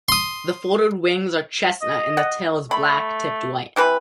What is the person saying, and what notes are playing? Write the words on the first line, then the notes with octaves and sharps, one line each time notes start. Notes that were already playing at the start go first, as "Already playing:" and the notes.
The folded wings are chestnut and the tail is black, tipped white.
C6 D#6
D#5
F#5
A3 B5
C3 E3 B4